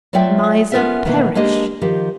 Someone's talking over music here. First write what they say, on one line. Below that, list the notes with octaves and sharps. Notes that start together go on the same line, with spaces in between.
Miser, perish!'
F#3 A3 F4 D5 E5 G5
B3 C#4 F4 A#4 C5 E5
B2 D#3 E3 A#3 B3
G#3 A#3 D4 G4 D#5
D#3 F3 G4